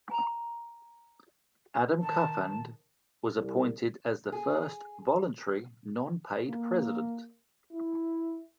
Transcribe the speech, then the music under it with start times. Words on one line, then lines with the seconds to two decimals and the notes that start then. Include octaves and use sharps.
Adam Cuthand was appointed as the first voluntary non-paid president.
0.10 G#5 A#5
2.02 D#3 A5
3.36 C2
4.32 G#4
6.47 A#3
7.72 E4